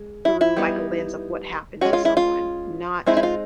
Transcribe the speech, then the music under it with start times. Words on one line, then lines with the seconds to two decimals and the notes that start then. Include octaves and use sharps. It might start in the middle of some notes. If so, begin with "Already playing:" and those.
through, like, a lens of what happened to someone, not
Already playing: G#3
0.25 E4
0.41 E4
0.57 G3 B3 D#4
1.81 G#3 C#4 F#4
1.93 F4
2.05 E4
2.17 F4
3.06 G#3 C4 D#4 E4
3.17 E4
3.23 F4